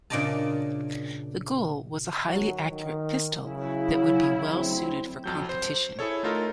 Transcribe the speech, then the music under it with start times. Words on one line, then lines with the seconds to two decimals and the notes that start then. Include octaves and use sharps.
The goal was a highly accurate pistol that would be well suited for competition.
0.10 A#2 C#3 D4 D5 D#5 A5
2.28 F#2 D#3 F#3
2.71 D#3
3.44 C#3 F#3 E4
4.54 D2 C4
5.24 F2 F#3 G6
5.49 C5
5.99 E4 G#4 A4 C#5
6.23 A3 D#4 F4 A4 A#4